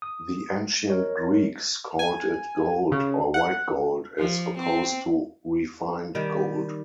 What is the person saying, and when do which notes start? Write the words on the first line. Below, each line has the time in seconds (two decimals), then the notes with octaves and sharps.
The ancient Greeks called it 'gold' or 'white gold', as opposed to 'refined gold'.
0.02 D#6
0.88 A#4 C#5 D#5
1.99 G#5
2.92 C#3
3.34 F#5
4.18 F3
4.58 C4
6.15 D#3 G3